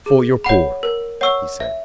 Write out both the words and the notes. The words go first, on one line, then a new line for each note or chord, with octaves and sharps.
"For your poor," he said.
G#4
C#5 F#5 B5
A#4
C#5 F#5 C#6 E6
E5